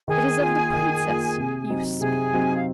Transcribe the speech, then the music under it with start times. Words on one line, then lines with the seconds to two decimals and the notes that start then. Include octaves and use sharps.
"It is of the princess you speak."
0.08 D#3 G#4 G#5
0.40 A#3 F4
0.73 D#3
1.05 A#3 F4
1.37 C3
1.69 F#3 C4 D#4
2.01 C3 G#4 G#5
2.33 F#3 C4 D#4
2.54 F5